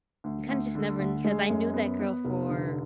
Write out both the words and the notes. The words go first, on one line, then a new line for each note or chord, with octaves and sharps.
kinda just never kn 'Cause I knew that girl for
D2
D2
D3
D2
G#3
F#2
B3
B3
F1
D3